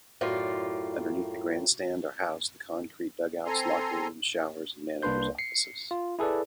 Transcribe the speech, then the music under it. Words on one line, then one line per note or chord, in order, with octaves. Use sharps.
Underneath the grandstand are housed the concrete dugouts, locker rooms, showers and manager's offices.
F#2 A2 F4 D5
C4 A4 G#5 A#5 C6
C2 A#3 D4 B4 C6 G6
C7 C#7
F4
E4 G#4 A4 B4 D5